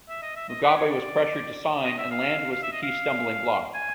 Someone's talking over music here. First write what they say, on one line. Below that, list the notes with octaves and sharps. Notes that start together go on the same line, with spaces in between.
Mugabe was pressured to sign and land was the key stumbling block.
E5
D#5
E5
D#5
B4
C#5
D5
D#5
E5
F5
F5
E5
D#5
F5
G#5